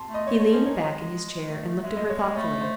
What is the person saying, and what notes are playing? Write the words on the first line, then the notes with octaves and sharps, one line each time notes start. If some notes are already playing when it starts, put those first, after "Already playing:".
He leaned back in his chair and looked at her thoughtfully.
Already playing: A5 C6
A3
D#5
A3 C#5
A3 C#5
C#4 C5
D#4 C#5
G#3 D#5
G#3
A3
A3
G#3 E5
D#5
C#5
D#5
A3 C#5
C5